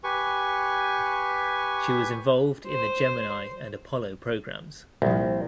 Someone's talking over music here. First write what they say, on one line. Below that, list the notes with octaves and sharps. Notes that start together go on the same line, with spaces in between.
She was involved in the Gemini and Apollo programs.
G4 B4 G#5 C#6
C5
C2 A#2 F3